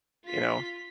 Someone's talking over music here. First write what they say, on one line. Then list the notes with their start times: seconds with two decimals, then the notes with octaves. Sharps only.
you know,
0.25 F4 B6